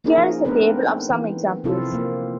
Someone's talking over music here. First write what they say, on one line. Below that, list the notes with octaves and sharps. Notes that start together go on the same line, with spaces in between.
Here is a table of some examples.
A#3 C#4 D#4 G#4 A#4
F3
A3 B3 C4 D4 A#4 B4
E3
C3 F3 C4 E4 F4 A4
F3 A#3